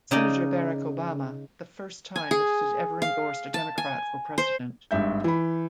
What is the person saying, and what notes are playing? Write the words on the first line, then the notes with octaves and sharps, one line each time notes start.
Senator Barack Obama-the first time that it had ever endorsed a Democrat for president.
C#3 D#4 D5 D#5
G#5
G#4
F5
A5
G#5
C5
G#1 G2 E5 G6
E3 B5